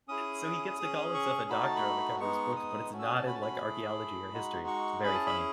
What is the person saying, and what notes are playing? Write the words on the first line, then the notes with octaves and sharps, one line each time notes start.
So he gets to call himself a doctor on the cover of his books, but it's not in, like, archaeology or history, it's very funny.
C#4 E4 G#4 D#6
C#4 G#4
C#6
A3 D#4 F#4 B5
A5
B5
G#3 B3 D#4 C#6
D#6
A3 C#4 F#4
E6
D#6
A5
B5
A5
B5
A3 E4 G#4
G#3 D#4 F#4
C#6
C#4 E4 G#4 B5
A5
B5